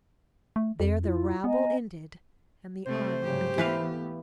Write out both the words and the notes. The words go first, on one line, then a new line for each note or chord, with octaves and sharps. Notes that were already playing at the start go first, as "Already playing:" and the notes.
There the rabble ended and the army began.
A3
F2
E4 F4
B3 D#5 G#5 A#5
C3 A3 C5
G#2 C#3 F#3 G4
E3 A3 B3 B4 F5